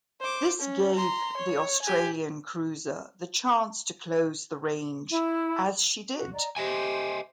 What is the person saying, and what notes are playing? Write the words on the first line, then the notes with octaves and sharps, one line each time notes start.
This gave the Australian cruiser the chance to close the range, as she did.
C5 D6
C#4
A#5 C6
C#5
G4 G#5
E4
F#4
D5 D#5 A#5
G4 C5 D#5 E5 G#5